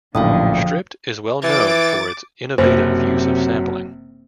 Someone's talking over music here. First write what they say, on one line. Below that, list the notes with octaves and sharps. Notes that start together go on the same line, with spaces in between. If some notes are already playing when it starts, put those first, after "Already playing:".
"Stripped" is well known for its innovative use of sampling.
A#1 F#2 A2 D3 F3 F5 G5 D#6
E3 D6 A6
F#1 C3 F#3 C5